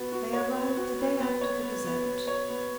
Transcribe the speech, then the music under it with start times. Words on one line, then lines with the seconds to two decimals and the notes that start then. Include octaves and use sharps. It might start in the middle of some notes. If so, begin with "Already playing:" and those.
They arrived the day after the Gazette.
Already playing: B3 F#4
0.12 F#4
0.33 C#5
0.55 B3
0.77 F#4
0.98 B3
1.20 B3
1.41 C#5
1.63 B3
1.85 B3
2.06 B3
2.28 C#5
2.50 B3